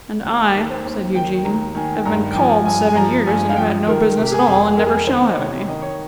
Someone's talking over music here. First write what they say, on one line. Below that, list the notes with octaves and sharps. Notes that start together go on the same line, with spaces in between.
'And I,' said Eugene, 'have been "called" seven years, and have had no business at all, and never shall have any.
D#2
D#3
C5
D#2
D#3 G5
D#2 A#5
D#3 G#5
G2 A#5
G5
F3 G#5
G2 G#5
G#5
F3 A#5
G2 G#5
F5
F3 G5
D#3 A#4
C3
G4
G#4
F2
F2 A#4
G#4
A#4
D#3 C5
D#5
C3 C#5
D#3 D#5
C#5